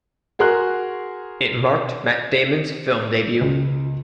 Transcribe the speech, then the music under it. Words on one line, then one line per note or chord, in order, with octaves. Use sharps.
It marked Matt Damon's film debut.
F#4 G#4 A#4 C6 F#6
C#2